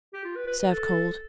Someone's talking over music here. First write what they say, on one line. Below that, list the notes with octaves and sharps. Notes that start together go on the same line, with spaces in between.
Serve cold.
G4
F4
B4
B4
B4
A4